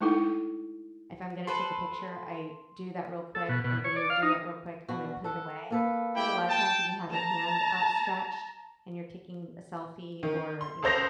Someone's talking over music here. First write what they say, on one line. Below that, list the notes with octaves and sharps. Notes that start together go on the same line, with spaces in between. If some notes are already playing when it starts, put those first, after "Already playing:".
if I'm gonna take a picture, I do that real quick, or a video, do that real quick, and then put it away, 'cause a lotta times when you have your hand outstretched and you're taking a selfie, or, you know,
G#3 A3 D#4 E4 A4
A4 B4 C5 C6
A4
B2
B2
C#5
D5
F5
D#4
B2 D3 F#4
A4 F#5
A#3 A4 B4
E4 G4 G5
G5 A5
A5 A#5
D#3
C6
C#2 A4 C5 A#6 F7